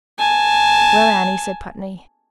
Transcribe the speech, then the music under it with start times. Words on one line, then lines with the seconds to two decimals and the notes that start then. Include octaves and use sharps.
"Well, Annie," said Putney.
0.19 G#5 A5